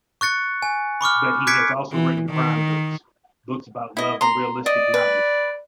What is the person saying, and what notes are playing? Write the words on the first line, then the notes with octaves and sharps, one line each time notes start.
But he has also written crime-books, books about love and realistic novels.
C#6 F#6 A6 C#7
G#5
B5 C#6 D6 F6
D6 F#6 G#6 B6 C#7 D7
E3
D#3
E4 D#5
A#5 C6
D5 D#5
B4